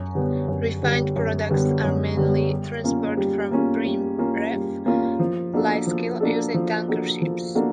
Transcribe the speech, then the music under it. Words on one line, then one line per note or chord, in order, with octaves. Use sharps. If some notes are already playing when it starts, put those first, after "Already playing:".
Refined products are mainly transported from Preemraff Lysekil using tanker ships.
Already playing: F#2
D3 G3 B3
F#2
D3 G3 B3
F#2
D3 G3 B3
F#2
D3 G3 B3
G3
A#3 C#4 F4
G3
A#3 C#4 F4
G3
A#3 C#4 F4
G3
A#3 C#4 F4
F3
A#3 D4 F#4 A4
F3
A#3 D4 F#4 A4
F3
A#3 D4 F#4 A4
F3
A#3 D4 F#4 A4